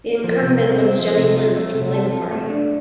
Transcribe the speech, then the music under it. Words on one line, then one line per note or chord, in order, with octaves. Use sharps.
The incumbent was Jenny Lynn for the Labour Party.
F3
C3
C2
C4
F3
C3
F4
A3
C3
A4
F4
A3
D4